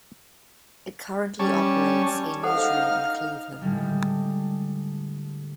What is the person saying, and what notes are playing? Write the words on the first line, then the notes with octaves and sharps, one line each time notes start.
It currently operates a newsroom in Cleveland.
G3 C#4 A5 C#6
D#4 A4 C5 F5 F#5 F6
A2 D3 G3 G#3